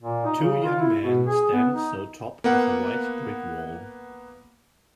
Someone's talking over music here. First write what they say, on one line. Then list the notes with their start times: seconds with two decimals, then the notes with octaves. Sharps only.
Two young men stand so top of a white brick wall.
0.01 A#2
0.25 D#4
0.42 C#3
0.64 F4
0.80 E4
1.01 B2
1.27 G#4
1.53 B3
1.73 D#4
2.44 A#3 B3 F#5